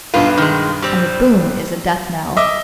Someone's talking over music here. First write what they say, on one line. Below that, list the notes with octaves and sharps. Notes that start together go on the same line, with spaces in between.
And the boom is a death-knell.
B1 G2 F4 B4
D#3 G#3
G3 C4
D#5 E5 D6